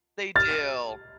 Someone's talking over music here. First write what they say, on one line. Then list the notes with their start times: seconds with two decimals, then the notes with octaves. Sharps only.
they do.
0.36 F6 A6